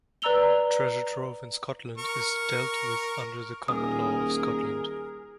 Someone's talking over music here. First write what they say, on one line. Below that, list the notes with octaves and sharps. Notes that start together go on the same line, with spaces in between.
Treasure trove in Scotland is dealt with under the common law of Scotland.
B4 D5 A#5 E6 F7 G7
A#4 C#6
D#1 G#4 A#4 D#6